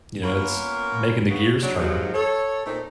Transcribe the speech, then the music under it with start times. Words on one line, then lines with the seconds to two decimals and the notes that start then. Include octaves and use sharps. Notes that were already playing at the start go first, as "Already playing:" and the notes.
you know, it's making the gears turn.
0.24 A#3 B3 C#4 F4 A#4 C#5
1.30 C#3 B3
1.62 C#3 F#3 D4
1.79 G#2 C3 D#3 F3 F#3
2.14 A4 C#5
2.66 A#2 A3 C4 D#4